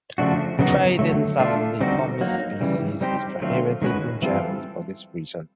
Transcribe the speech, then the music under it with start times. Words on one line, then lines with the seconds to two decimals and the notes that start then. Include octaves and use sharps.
Trade in some "Lepomis" species is prohibited in Germany for this reason.
0.18 C#3 F3 A3 D4 F#4
0.59 C#3 F#3 B3 D#4 F#4
0.99 D3 F#3 A3
1.39 A3 D4 F4 A4
1.80 D3 G3 C4 D#4 F#4
2.21 F#3 A#3 D#4
2.61 C#3 E3 G3
3.01 G3 C4 D#4 G4 C5
3.41 D3 F#3 A3 C4 F4
3.82 D#3 G#3 C#4 F#4 B4
4.22 E3 G3 C4 F4 A4